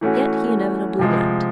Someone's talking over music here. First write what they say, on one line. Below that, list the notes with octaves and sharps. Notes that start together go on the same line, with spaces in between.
Yet he inevitably went.
E3 A3 C#4 F#4
C3 F3 G#3